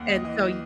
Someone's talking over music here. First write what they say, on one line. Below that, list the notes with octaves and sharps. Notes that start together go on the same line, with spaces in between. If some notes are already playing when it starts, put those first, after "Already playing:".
and so,
Already playing: D#2 F#5
D#5
E3 D#5
D#5